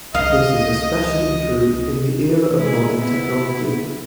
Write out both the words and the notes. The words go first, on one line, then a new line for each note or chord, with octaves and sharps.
This is especially true in the era of modern technology.
C#2 D#5 F5
G#3 E4 G#4
B3 E4